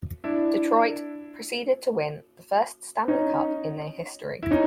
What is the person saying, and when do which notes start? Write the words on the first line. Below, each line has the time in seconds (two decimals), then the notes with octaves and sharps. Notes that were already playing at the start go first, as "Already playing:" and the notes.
Detroit proceeded to win the first Stanley Cup in their history.
0.24 D4 E4
3.08 C#4 D#4
4.43 E4
4.51 C#4 D#4